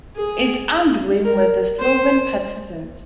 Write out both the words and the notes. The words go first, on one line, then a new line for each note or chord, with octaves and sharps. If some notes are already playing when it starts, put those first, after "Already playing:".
Its armed wing were the Slovene Partisans.
G#4
A#4
C5